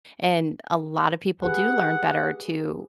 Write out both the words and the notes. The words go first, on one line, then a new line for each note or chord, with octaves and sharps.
And a lotta people do learn better to
G4 G#4 B4 F#5